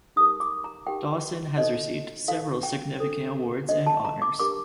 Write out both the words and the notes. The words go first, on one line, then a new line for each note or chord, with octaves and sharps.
Dawson has received several significant awards and honors.
D#4 G4 A#4 D#6
D6
A#5
D#4 G4 A#4 G5
D#4 A4 C5 D#5
D#4 A4 C5 F5
G5
D4 A4 C5
D4 A4 C5 D#5
A5
A#5
D6
D4 G4 A#4 D6